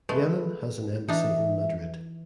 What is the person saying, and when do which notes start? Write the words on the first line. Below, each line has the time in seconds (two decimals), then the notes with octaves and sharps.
Yemen has an embassy in Madrid.
0.09 G#3 A3 B4
1.08 E3 D4 D#4 E5